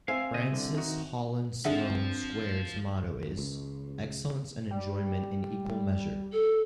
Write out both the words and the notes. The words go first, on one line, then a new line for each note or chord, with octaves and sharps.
Francis Holland Sloane Square's motto is: 'Excellence and Enjoyment in Equal Measure'.
C4 E5 F5 G#5
C#3 D#5
C2 D3
D#3 D#4 F#4
D3 F3 C4 G#4 E5 F#5
C#2
G3
A4